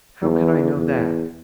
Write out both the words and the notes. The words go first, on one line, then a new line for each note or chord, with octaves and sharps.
"How can I know that?"
E2
E2